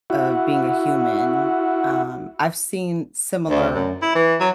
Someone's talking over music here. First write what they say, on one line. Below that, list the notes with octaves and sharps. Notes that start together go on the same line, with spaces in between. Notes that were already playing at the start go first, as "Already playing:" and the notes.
of being a human, um, I've seen similar
E4 F#4
D2
F#2
E4
E3
F#3